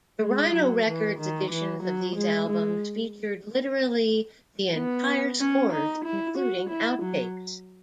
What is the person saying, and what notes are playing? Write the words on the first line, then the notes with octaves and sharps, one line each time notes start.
The Rhino Records editions of these albums featured literally the entire scores, including outtakes.
G#3
F#3
E3
D#3
E3
F#3
G#3
G#3
B3
C#4
D#4
E4
F#4
E4
F#3